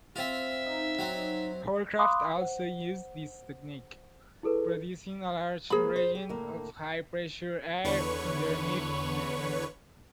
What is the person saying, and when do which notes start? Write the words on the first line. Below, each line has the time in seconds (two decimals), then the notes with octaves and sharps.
Hovercraft also use this technique, producing a large region of high-pressure air underneath them.
0.16 C4 F4 E5
0.66 D#4
0.99 F#3 C4
1.99 F5 B5 C6 D6 D#6 F#6
2.37 C5 F#5
4.43 E4 G#4 A4 B4
5.70 F3 G#3 A#3 G#4 B5
5.96 C5
6.15 G4
6.29 A2 D3 A#3
7.84 E2 D3 B4 C#5 C#6